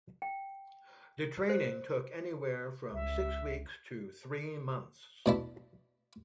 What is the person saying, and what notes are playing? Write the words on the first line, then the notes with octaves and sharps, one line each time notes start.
The training took anywhere from six weeks to three months.
G5
C5
C#2 E5
B2 D4 E4